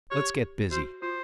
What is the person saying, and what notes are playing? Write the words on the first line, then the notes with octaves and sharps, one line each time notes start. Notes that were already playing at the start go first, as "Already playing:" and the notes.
Let's get busy.
G4 C#5
F#4 C5
F4 C5